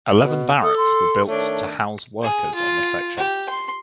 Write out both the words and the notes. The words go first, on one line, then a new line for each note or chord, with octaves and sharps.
Eleven barracks were built to house workers on the section.
B2
A4 D#6
C6
D#3 A3 D4 C#5
G#4
F4
G4
C6